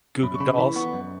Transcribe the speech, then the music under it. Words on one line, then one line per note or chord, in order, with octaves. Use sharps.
Goo Goo dolls.
F#2 B5
C#6
C#3 B5
E3 B5
B3 C#6
F#2